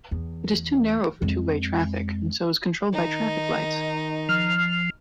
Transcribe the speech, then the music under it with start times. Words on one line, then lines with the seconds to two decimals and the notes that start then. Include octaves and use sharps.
It is too narrow for two-way traffic, and so is controlled by traffic lights.
0.11 E2
1.22 F2 G#3
2.93 D#3 D#4
4.29 F3 F6